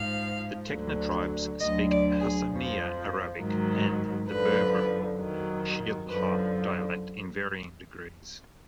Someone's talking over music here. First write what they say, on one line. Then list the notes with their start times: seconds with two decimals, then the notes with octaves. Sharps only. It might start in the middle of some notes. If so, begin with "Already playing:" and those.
The Tekna tribes speak Hassaniya Arabic and the Berber Shilha dialect in varying degrees.
Already playing: G#2 F3 F5
0.70 D2 D3 F#3
1.59 D2 D3 F#3 D#5
1.90 D5
2.20 G#4
2.50 F2 F3
3.39 G#2 D#3 F#3
4.28 F#2 D3 F3 B4
5.18 F2 D#3 F#3
6.08 F#2 D3 F3 B4